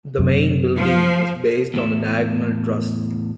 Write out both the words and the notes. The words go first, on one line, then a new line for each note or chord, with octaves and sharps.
The main building is based on the diagonal truss.
F#2 C3
F3
E2 A2 E5